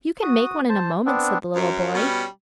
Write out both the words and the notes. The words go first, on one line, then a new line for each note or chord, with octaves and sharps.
"You can make one in a moment," said the little boy.
F#4 D#6
C5 A5
B3 C4 D4
F#2
B2 G3 C#4